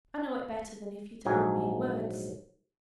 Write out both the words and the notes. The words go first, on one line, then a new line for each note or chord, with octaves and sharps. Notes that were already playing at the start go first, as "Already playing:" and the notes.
I know it better than if you told me in words.
A#1 G#2 F#3 G#5